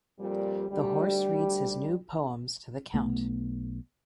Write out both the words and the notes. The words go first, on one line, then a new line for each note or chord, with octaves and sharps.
The horse reads his new poems to the Count.
F2 A#2 G3
D2 G3
B1 A3 B3